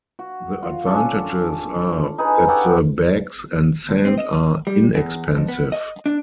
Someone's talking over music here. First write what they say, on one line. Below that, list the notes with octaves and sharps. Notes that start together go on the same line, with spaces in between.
The advantages are that the bags and sand are inexpensive.
F#4
F4
C#4 D4 A4
D#4 G#4 B4
G4 A4 C#5 F#5
D2
C4
D#5
G3
E2
F2
B3
D#5
D4